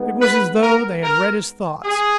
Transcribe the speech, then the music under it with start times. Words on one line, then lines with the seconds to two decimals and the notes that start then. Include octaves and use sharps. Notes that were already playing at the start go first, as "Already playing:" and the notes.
It was as though they had read his thoughts.
Already playing: G#3 B3 D#4
0.21 B4
0.62 A#4
1.03 A#4
1.85 G#4